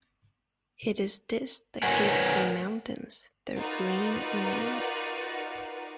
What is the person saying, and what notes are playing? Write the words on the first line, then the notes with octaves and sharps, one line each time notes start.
It is this that gives the mountains their "green" name.
A#4 B4 C#5 F#5 G#5
D#4 F4 F#4 A#4 B4 D5